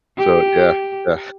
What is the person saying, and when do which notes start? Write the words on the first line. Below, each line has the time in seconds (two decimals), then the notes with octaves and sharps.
so yeah, yeah.
0.17 G4